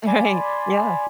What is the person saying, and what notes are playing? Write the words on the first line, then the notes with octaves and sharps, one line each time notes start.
Right. Yeah.
D5 G#5 B5 C6